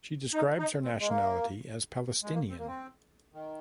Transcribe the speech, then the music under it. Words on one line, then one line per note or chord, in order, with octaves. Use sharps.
She describes her nationality as Palestinian.
D#4
D#4
C4
G#3
A#3
G#3
A#3
C4
A#3
C4
D#3